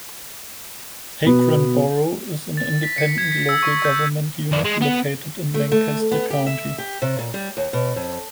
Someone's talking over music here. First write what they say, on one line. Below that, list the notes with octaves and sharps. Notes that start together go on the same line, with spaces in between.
Akron borough is an independent local government unit located in Lancaster County.
B2 B3
A6
B6
C#7
G#6
B6
E6
C#6
G6
F2 D5
G#3
B3
A3
A3
B3
G4
E5
G4
C3
A#2
G3
D#2
B2
F2